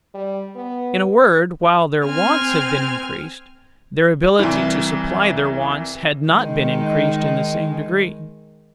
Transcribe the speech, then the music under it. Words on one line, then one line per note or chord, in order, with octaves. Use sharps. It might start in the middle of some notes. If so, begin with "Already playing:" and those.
In a word, while their wants have been increased, their ability to supply their wants had not been increased in the same degree.
G3
B3
C4 G#5 F6
C2 E3
D#3 G#3 D#4